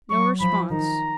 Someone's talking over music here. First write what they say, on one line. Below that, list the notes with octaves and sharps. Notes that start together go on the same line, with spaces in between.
No response.
F#3 C#6
F3 B5
D#3 A#5